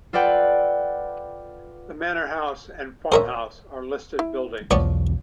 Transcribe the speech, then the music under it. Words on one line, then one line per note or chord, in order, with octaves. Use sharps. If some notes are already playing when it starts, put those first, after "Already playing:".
The Manor House and farm house are listed buildings.
F4 A4 B4 D5 F#5 G5
A#4 C5 C#5 E5 G#5
E4
B1 E2 F3 B3 C#5 D5